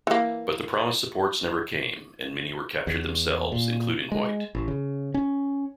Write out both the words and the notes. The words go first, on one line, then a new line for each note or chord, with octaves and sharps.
But the promised supports never came and many were captured themselves, including Hoyt.
E3 A#3
E2
A#2
G#3
A1
C#3
C#4